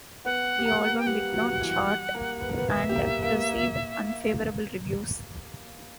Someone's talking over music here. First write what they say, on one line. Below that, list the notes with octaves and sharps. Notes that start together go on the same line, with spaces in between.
The album did not chart, and received unfavorable reviews.
B3 B4 F#5
G4
A#3 A#4
G5
G3 G4 F#5
F#3 F#4
E3 E4
G3 G4
A#3 A#4
B4
A#4
B3 B4
E5
G4
A#3 A#4
A#3 A#4
A#3 A#4